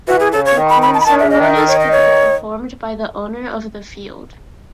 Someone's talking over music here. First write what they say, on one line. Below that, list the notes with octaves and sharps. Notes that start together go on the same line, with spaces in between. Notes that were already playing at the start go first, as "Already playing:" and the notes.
The corn ceremonies could be performed by the owner of the field.
E3 F#4
G#4
C#3 A4
C#5
D#3
B5
B5
A5
B5
D#3 A5
C#3 E5
D#5
D#3 E5
A4
C#5
D#5
C#5